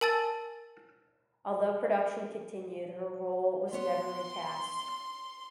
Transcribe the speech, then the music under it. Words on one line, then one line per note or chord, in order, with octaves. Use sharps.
Although production continued, her role was never recast.
A#4 G#5 A5 E6 A6
B3 C#5 C6